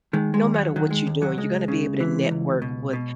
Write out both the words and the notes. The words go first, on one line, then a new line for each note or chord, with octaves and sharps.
No matter what you're doing, you're gonna be able to network with
D#3 G#3
G#3
D#2
F#3
D#3 F#3
G#3
D#2
F#3
C#2 G#3
C#3
E3
C#2
B2
B2